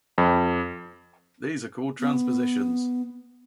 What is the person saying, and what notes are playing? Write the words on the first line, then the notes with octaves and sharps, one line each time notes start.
These are called transpositions.
F2
B3